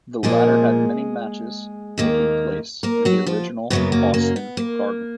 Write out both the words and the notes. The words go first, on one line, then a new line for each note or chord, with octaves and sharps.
The latter had many matches taking place in the original Boston Garden.
A#2 F3 G#3 A#3 G#4
D#2 D#3 A#3
A#3 A#4
F#3 F#4
F3 F4
F#2 C#3 F#3 A#3 B3
A#3
A#3
B3
A#3